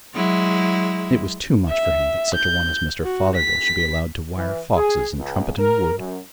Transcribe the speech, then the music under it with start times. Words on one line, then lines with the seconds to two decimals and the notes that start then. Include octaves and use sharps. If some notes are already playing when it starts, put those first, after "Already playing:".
And it was too much for him that such a one as Mr. Fothergill should be allowed to wire foxes in Trumpeton Wood!
0.15 F#3 G#3 E4
1.68 E5
2.35 G6
3.04 F#4
3.35 B6
4.37 E3
4.76 G#4
5.18 C#2
5.59 A#4
5.98 F#2